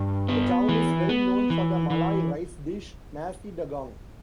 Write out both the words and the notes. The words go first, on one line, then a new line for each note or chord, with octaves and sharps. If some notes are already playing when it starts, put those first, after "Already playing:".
The town is well known for the Malay rice dish, "nasi dagang".
Already playing: G2
B3
E3
B3
E3
E3